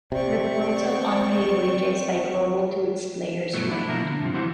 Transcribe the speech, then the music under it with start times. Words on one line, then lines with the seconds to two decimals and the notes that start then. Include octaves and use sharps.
Reports of unpaid wages by Global to its players remained.
0.12 C3 C4 D5 C#6
3.53 G2 B2 F#3 A3
3.69 F#3 D4 E4
3.89 B2 F3 A#3 E4 A#4
4.03 D3
4.21 G2 C3 F3
4.34 E3 E4 F#4 C5